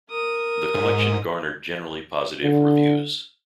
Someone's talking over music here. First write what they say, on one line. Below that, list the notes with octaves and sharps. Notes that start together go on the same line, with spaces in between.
The collection garnered generally positive reviews.
A#4 D#6
G#2
D3